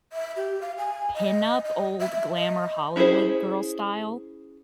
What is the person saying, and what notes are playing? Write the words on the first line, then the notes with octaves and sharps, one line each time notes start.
pin-up, old glamour Hollywood girl style,
E5
G4
F5
G#5
D#5
D#5
E5
E5
D#5
C#4 E4 F#4 G#4 C5